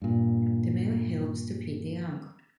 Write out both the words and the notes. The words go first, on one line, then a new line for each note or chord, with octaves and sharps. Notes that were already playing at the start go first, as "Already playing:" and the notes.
The male helps to feed the young.
G2 A#2